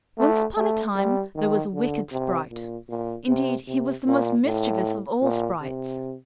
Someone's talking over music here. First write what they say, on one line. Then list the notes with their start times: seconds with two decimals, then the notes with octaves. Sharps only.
Once upon a time there was a wicked sprite, indeed he was the most mischievous of all sprites.
0.18 A3
0.57 A3
0.96 G3
1.34 D#3
1.74 D3
2.12 C3
2.50 A#2
2.89 A#2
3.28 C3
3.67 C3
4.06 A#2
4.45 A2
5.22 A#2
5.61 C3